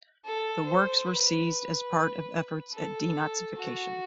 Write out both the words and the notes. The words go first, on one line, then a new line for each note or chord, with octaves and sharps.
The works were seized as part of efforts at denazification.
A4
C5
B4
A4
F#4